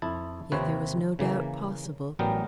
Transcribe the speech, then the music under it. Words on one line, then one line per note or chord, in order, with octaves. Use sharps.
Yet there was no doubt possible.
F2 E4 A5
D#2 C3 F3 C4 B4 C#5
C#3 E3 A#3
A1 F#3 G3 B3 A#4 G5